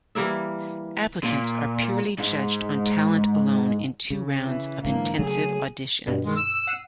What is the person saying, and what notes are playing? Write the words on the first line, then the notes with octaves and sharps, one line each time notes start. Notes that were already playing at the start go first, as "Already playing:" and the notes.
Applicants are purely judged on talent alone in two rounds of intensive auditions.
E3 G3 A#3 E5
A#2
G#2
C#3
E3
G#2 D3 E3 A#3
C#3 F#3 A3 G#4
G2 B2
D#3 G#3
E6
F#5 C7 D#7